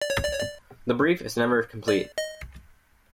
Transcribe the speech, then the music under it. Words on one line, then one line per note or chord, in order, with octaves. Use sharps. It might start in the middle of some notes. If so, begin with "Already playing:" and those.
The brief is never complete.
D5
C#5
D5
C#5
D5
D5
D#5